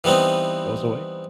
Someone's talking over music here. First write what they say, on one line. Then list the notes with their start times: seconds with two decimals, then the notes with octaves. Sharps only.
goes away.
0.04 E3 G3 B3 C4 D#4